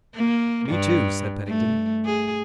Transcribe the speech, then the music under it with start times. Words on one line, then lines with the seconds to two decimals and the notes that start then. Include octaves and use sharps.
"Me, too," said Pennington.
0.15 A#3
0.70 G2
1.48 A3
2.05 G#4